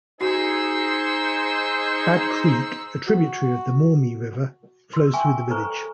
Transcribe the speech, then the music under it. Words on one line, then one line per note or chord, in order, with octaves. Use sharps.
Bad Creek, a tributary of the Maumee River, flows through the village.
D#4 F#4 G#4 C5 E6 C#7
F#4
C6 E6
E5 G5 G#5 C#6
A4 B4 C5 A#5 C#6